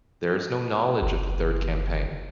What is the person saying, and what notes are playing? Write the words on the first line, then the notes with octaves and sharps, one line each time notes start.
There is no knowledge of the Third Campaign.
F#1